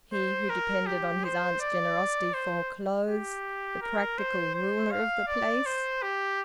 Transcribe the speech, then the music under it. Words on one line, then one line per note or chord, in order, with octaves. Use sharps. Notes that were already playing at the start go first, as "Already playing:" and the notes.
He, who depended on his aunt's generosity for clothes, the practical ruler of the place!
C5
A#4
G4
C5
D5
C5
G4
A#4
C5
C5
F5
D5
C5
G4